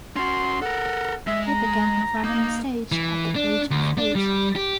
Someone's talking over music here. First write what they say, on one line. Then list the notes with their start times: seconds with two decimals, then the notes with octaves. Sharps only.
He began performing on stage at the age of eight.
0.16 C#4 F#4 C6
0.62 A4 A#4 F#5
1.27 G#3 E5
1.47 A#5
2.24 A#3 D#4
2.92 E3
3.36 D4
3.71 D2
3.98 D4
4.15 G3
4.56 G4